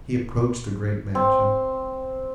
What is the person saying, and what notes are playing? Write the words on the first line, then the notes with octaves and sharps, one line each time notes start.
He approached the great mansion.
C4